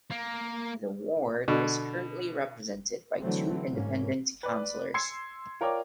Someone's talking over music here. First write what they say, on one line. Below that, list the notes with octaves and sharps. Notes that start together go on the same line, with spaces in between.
The ward is currently represented by two independent councillors.
A#3
B2 D3
D3 E3 F#3 A3 C4
G#2 A#3 C#4
B4 D5
C6 E6 G#6 C7 C#7
F4 A#4 C#5 D5 G5 D6